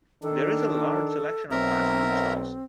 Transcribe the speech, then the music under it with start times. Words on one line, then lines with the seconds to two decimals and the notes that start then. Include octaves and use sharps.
There is a large selection of fast food stalls.
0.23 D#3 D4 A4
1.51 B1 C4 A#4 E5 A#5